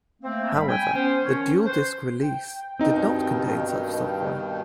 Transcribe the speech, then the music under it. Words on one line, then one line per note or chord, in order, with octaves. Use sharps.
However, the DualDisc release does not contain such software.
A3 A#3 C4
G3 B5
G5 G#5
B3 C#4 C5
D#3 F3 C#4
B4 C5
G5
G2 B2 D#3 C4 D#4